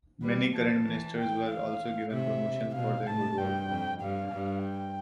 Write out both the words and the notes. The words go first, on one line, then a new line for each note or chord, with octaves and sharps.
Many current ministers were also given promotion for their good work.
G3 B4
F3 A5
E3
G5
F5
C3 E5
B2 F5
A2 A5
G2 G5
F2
G2 F5
G2
G5